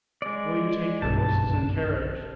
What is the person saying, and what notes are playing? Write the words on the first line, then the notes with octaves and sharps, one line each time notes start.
"Will you take your horses and carriage?"
G#3 D5
F#1 B1 G2 A5